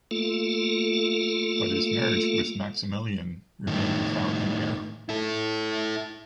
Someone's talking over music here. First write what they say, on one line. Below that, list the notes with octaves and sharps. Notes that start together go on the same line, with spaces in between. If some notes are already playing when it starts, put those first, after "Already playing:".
But his marriage with Maximilien remained without an heir.
A3 A#3 F4 A4
A2 D#3
E4 A4